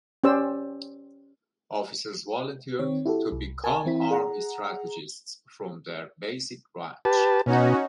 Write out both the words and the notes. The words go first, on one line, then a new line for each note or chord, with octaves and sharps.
Officers volunteer to become Army Strategists from their basic branch.
C#4 G4 C5 D5 E6
D#3 C4 C#5
E4 F#4 G4 A4
C2
A#4 G#5 A5
E3 C4 E4 B6
G#4 F#5 A#5
G4 B4 A5
B2 C#4 D#4 F#4